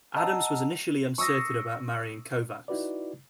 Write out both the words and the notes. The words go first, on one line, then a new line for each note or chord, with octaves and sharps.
Adams was initially uncertain about marrying Kovacs.
D#5 F#5 A5 A#5 E6
C#6 D#6 E6 A#6 C7
D#4 E4 F#4 B4 D5